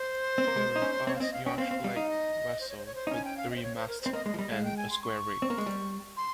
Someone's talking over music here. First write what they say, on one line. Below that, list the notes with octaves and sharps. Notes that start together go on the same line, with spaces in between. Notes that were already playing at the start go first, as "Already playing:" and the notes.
They were fast, yacht-like vessels, with three masts and a square rig.
Already playing: C5
C4
A#3
G#3
D#4
C#4
C4 C#5
F5
C4 D#5
F5
C#4 G5
C4 F5
C4
G3
D#4
D#5
C5
C#5
C5
C#5
C5
D#4
C#4 G#5
G5
F5
D#5
C5
C#5
C5
A#4
C5
C4
A#3 D#5
G#3 D#5
F3
G3 D#5
G#3 F5
G5
G#5
C6
C#6
C4
A#3
G#3
G3
C6